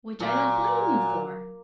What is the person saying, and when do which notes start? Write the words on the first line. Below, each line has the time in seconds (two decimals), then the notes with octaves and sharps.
'Which I don't blame you for.
0.20 A#2 F#3